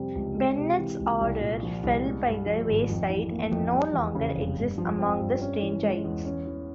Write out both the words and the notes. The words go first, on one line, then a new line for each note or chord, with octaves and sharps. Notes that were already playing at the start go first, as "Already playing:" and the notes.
Bennett's "order" fell by the wayside and no longer exists among the Strangites.
Already playing: F2 C3 G3 C4
C#2
G#3
C3
E3
C#2
C2
A#2
F3
C2
G#3
G2
F3
G#1
F2
E3
A#3
F2
G3
E2
C#3
F1
G2
F3
C4
G2
C#4
E3
G#3
E2
C#4
E3